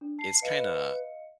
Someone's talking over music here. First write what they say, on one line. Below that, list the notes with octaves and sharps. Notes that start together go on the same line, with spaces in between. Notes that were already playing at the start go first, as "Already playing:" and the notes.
it's kinda
D4
A5 C7
B4 D#5 F5 C#7